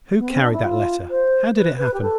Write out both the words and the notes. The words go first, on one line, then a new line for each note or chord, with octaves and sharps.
"Who carried that letter? How did it happen?"
B3
C4
D4
E4
F4
C5
B4
B4
G4
A4